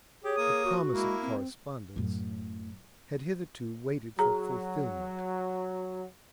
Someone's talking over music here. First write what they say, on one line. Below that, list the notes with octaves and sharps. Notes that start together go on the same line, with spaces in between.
The promise of correspondence had hitherto waited for fulfilment.
G4 G#4 C#5
A#3 D#6
F#4
G#3 A#3 E4
C4
F#2 A2
F#3 G#4 A#5